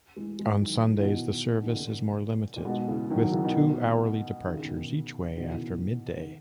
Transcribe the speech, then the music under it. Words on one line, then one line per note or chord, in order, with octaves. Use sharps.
On Sundays the service is more limited, with two-hourly departures each way after midday.
E3 G#3
E3 G#3
D#3 F#3
D#3
E3
B2 D#3
D#3
A#2 C#3
A#2
G#2 B2
C#3 E3
D#3 F#3
D#3 F#3
C#3 E3
B2 D#3
D#3
C#3
B2 D#3
B2 D#3
C#3 E3
D#3